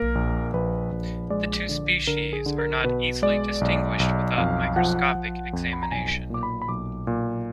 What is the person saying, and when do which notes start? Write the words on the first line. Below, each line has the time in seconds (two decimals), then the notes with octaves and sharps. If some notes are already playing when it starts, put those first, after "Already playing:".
The two species are not easily distinguished without microscopic examination.
Already playing: A#3 A#4
0.15 A#1
0.54 A#1 B4
0.92 A#1
1.30 G#3 D5
1.69 D3
2.07 D3 A#4
2.33 G#4
2.46 D3
2.58 A#4
2.84 B2 B4
3.22 G#3 D5
3.61 B1
3.99 B1
4.38 F2 F5
4.76 F3 F#5
5.15 F3
5.53 F2
5.73 B5
5.83 A#5
5.92 B1 G#5
6.30 A#2 D6
6.43 B5
6.62 B5
6.68 B1 D6
7.07 A#2